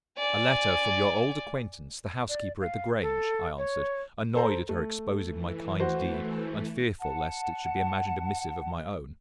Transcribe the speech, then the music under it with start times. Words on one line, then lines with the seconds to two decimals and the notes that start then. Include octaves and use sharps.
'A letter from your old acquaintance, the housekeeper at the Grange,' I answered; annoyed at her exposing my kind deed, and fearful lest it should be imagined a missive of my own.
0.18 D5 G#5
2.29 D5
2.61 F5
3.02 A4
3.58 C#5
4.35 A4 C5 A#5
4.69 A3
5.26 E3
5.80 E3 A3 F#4 C5 F#5
7.00 F#5 A5